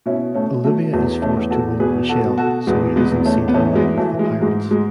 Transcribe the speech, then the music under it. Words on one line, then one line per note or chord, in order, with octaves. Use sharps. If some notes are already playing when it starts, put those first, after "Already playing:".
Olivia is forced to wound Michel so he isn't seen allied with the pirates.
B2 C#4 E4
A3 C#4
B2
F#3 A3
E2 F#3 A3
A3 C#4
E2
F#4 A4
B2 G#4 B4
F#4 A4
B2
F#4 A4
E2 G#3 B3
G#3 B3
E2
B3
A3 C#4
B3
E3 A3 C#4
G#3 B3
E3 F#3 A3
G#3
G#2 G#3
G#3